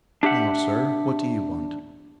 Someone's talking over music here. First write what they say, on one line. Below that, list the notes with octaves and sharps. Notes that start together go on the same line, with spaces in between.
'Now, sir, what do you want?
D4 G4 E5 F#5